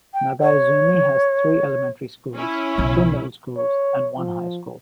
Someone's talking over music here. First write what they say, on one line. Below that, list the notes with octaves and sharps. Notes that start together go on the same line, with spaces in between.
Nagaizumi has three elementary schools, two middle schools and one high school.
G5
C#5
C#4 E4
B1 C#3
C#5
F3